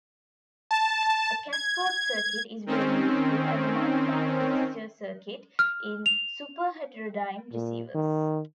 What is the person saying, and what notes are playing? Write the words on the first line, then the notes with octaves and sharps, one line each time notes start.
A cascode circuit is very useful as a multiplying mixer circuit in superheterodyne receivers.
A5
G#6
D#3 C4 C#4
F6
F7
A#2
D#3